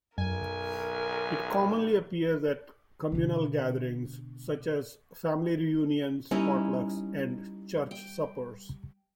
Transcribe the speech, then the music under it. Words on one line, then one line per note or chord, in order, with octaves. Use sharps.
It commonly appears at communal gatherings such as family reunions, potlucks and church suppers.
B1 F#2 A#4 G#5
B2 D3
G3 C#4 D#4 E4
G5